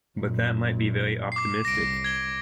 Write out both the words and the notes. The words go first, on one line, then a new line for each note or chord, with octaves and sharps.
But that might be very optimistic.
F#2 A#2
D6 C7
C2 A#6 D7
G#6 G7